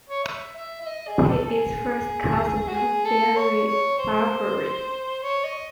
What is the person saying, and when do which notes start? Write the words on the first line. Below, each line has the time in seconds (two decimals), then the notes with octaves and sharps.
He is first cousin to Barrie Barbary.
0.09 C#5
0.24 E5
0.56 E5
0.81 E5
0.87 D#5
1.07 G#4
1.28 A4
1.44 A4
1.49 G#4
2.68 F#4
2.74 G#4
3.05 A4
3.36 C#5
3.67 C#5
3.98 C5
5.23 C#5
5.44 D#5